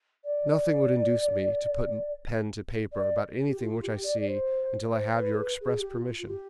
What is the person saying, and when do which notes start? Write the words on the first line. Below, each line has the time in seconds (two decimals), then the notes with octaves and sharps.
Nothing would induce me to put pen to paper about anything which I see until I have your express permission.
0.24 D5
2.93 D5
3.48 G4
3.60 F4
3.74 F4
3.82 G4
4.04 D5
4.18 D5
4.27 C5
4.93 C5
5.16 B4
5.33 G#4
5.39 B4
5.61 G#4
5.78 G4
5.94 F4
6.19 F4
6.28 G4